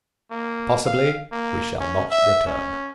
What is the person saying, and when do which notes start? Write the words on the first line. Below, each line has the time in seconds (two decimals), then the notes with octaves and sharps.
Possibly we shall not return.
0.31 A#3
0.86 F5
1.32 A#3
1.80 C#4
2.11 E5
2.47 C#4